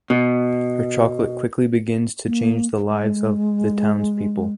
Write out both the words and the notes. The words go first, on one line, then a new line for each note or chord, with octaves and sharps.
Her chocolate quickly begins to change the lives of the townspeople.
B2
A#3
G#3